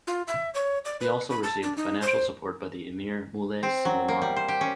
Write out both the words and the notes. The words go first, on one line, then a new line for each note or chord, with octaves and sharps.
He also received the financial support by the emir Moulay Slimane.
F4
E5
C#5
D5
B4
B5
A5
D4
D#4
C5
C4
F#3
A#3
G3
C5
G4
C#4